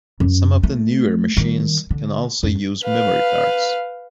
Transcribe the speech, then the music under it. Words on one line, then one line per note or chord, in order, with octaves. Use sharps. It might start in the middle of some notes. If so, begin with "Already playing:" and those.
Some of the newer machines can also use memory cards.
F#2
A3
D#3 G3
D3
F#2
B4 F5